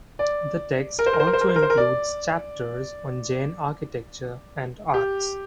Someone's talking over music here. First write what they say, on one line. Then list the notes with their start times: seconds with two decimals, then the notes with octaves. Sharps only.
The text also includes chapters on Jain architecture and arts.
0.19 D5
0.99 A#4
1.06 C5
1.13 A#4
1.20 C5
1.27 A#4
1.33 C5
1.41 A#4
1.49 C5
1.56 A#4
1.62 C5
1.70 A#4
1.77 D5
4.94 G4